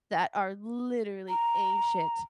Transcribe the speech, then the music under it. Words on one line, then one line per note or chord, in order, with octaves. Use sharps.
that are literally ancient.
A#5